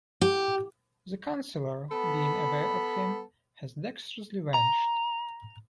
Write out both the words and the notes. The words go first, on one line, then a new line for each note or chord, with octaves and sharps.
The Chancellor, being aware of him, has dextrously vanished.
G4
B3 A4 B5
A#5